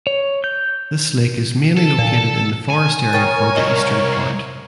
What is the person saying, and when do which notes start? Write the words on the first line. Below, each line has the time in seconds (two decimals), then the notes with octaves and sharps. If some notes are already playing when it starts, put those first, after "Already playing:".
This lake is mainly located in the forest area for the eastern part.
0.07 C#5
0.44 G6
1.77 A4
1.99 A#2
2.70 G#5
3.13 A#4 C#5 G5 D#6 A6
3.57 C2 D#5
4.13 C7